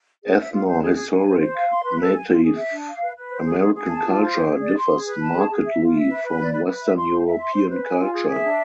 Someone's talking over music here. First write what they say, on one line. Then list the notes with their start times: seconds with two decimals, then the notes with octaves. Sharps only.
Ethnohistoric Native American culture differs markedly from Western European culture.
0.24 G#4
0.38 E5
0.52 F4
0.66 C5
0.82 G#4
0.96 G#4
1.11 G#5
1.26 C5
1.40 C5
1.55 F5
1.69 C6
1.85 B4
1.99 A4
2.13 G#5
2.29 F4
2.43 G#4
2.57 E5
2.72 D4
2.87 F5
3.01 B4
3.16 B4
3.30 C5
3.46 G#4
3.60 G#4
3.74 G#4
3.88 A5
4.04 F4
4.19 C5
4.34 G#4
4.47 G#4
4.62 D5
4.77 C6
4.92 G#4
5.06 B4
5.21 A5
5.35 G#4
5.51 G#4
5.65 E5
5.80 F4
5.94 E5
6.08 B4
6.23 B4
6.38 D5
6.53 B4
6.67 B4
6.82 E5
6.96 C6
7.11 C5
7.26 E5
7.40 C6
7.55 C5
7.69 B4
7.84 G#5
8.00 F4
8.13 G#4
8.28 E5
8.42 D4